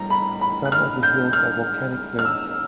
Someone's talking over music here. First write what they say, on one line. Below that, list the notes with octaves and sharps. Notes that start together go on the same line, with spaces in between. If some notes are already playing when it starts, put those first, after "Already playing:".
Some of the hills are volcanic vents.
Already playing: A2 E3 G3 A#5
B5
B5
F#6
F6
G6
F6
F6
E6